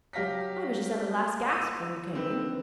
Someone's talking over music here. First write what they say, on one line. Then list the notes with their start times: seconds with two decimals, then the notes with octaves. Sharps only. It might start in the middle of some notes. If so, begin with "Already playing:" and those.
I was just at the last gasp when you came in.
0.13 F#3 G4 F5 A#6 B6
1.49 E6 D#7
2.12 D3 D#3 C4 B4